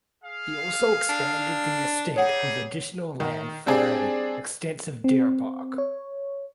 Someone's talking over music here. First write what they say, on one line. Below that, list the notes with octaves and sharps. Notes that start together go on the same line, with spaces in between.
He also expanded the estate with additional land for an extensive deer park.
G#4 F5
D4
G3 D#4 G#4 C#5 F#5
D#3
G3 C4 D4 G#4
C4
C#5